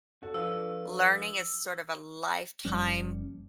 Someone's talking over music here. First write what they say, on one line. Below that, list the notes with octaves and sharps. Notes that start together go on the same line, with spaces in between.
learning is sort of a lifetime,
F#4 A4
F3 D4 B4 F5 E6
F#1 F3 G3 C#4